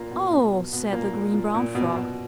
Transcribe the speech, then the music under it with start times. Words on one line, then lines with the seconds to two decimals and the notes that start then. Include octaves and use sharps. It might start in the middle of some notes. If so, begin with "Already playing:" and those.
"Oh!" said the Green Brown Frog.
Already playing: A#2 A#3
0.11 B2
0.31 B2
0.52 B2
0.73 B2
0.92 A#2 A#3
1.13 A#2
1.33 A#2
1.54 A#2
1.75 B2
1.95 B2